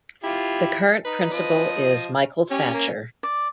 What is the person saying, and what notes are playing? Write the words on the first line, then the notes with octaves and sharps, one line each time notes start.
The current principal is Michael Thatcher.
E4 F4 G4
D#4 B4
F3 D#5
C#4 G4 C#5
A#3
D5